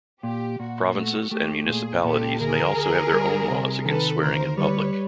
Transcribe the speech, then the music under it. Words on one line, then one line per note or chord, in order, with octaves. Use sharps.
Provinces and municipalities may also have their own laws against swearing in public.
A#2 G4
A#2 F#4
A3 F#4
A3 G4
A#2 G#4
A#2 G4 A4
D2 G#4 A#4
D2
G3
C3
D#3 A4 B4
D2 A#4 C5
G3 B4 C#5